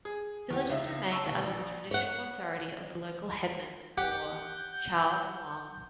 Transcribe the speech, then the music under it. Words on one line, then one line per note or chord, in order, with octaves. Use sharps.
Villages remained under the traditional authority of the local headmen or "chao muang".
G#4
E2 G4
C#2 D#4 E5
A5 C#6 E6
D#2 B2
A#1
C#5 F#5
G4 F#5 G6